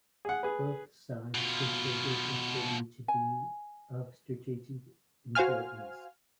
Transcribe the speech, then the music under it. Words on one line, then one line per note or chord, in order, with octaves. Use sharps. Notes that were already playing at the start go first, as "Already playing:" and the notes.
Both sides considered the city to be of strategic importance.
G#4 F#5
G#4 B4
B2 F4
G#5
F#4 C5 F5 G#5 F6